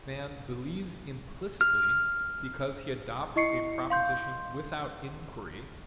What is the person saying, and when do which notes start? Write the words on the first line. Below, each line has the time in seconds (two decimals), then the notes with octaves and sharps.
A man believes implicitly, because he adopts a proposition without inquiry.
1.61 F6
3.36 E4 D#5 C#6 C7 C#7
3.90 F5 C6 G6